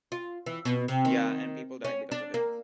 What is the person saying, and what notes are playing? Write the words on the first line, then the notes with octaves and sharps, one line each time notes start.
Ya and people died because of it.
F4
E3
B2
C3
D#3
C#4
D4
A#3